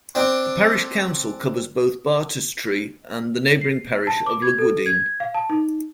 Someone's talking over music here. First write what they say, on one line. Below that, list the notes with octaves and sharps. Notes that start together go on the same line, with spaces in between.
The parish council covers both Bartestree and the neighbouring parish of Lugwardine.
C4 D4
C7
A5
D6
G#6
A4
G#6
F5
A5
D#4